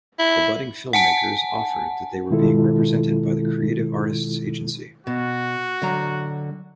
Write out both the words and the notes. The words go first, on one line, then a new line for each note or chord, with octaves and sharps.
The budding filmmakers offered that they were being represented by the Creative Artists Agency.
E4
F#5 G#5 A5
B2 D#3 G#3 E4 F4 A4
B2 F#4
D3 F#3 A#5